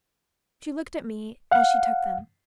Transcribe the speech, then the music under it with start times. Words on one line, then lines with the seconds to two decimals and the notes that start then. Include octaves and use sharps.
She looked at me as she took them.
1.52 F5 F#5